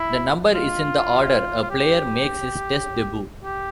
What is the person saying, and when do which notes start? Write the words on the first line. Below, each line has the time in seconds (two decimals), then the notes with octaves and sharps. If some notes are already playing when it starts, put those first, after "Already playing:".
The number is in the order a player makes his Test debut.
Already playing: E4
0.55 F4
1.62 F4
1.70 G4
3.44 G4